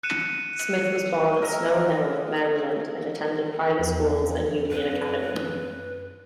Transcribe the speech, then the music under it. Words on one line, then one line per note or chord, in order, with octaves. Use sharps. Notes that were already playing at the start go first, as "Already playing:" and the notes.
Smith was born at Snow Hill, Maryland, and attended private schools and Union Academy.
F#6 C#7 D#7 E7
A#4 D#5 E5 A#5
E2 F3
F#2 C4 B4